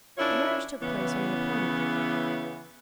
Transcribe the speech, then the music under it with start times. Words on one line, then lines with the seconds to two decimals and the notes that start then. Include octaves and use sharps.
The marriage took place on the appointed day.
0.18 D#3 C#4 D4 E4 F4 C#5
0.82 C#3 E3 B3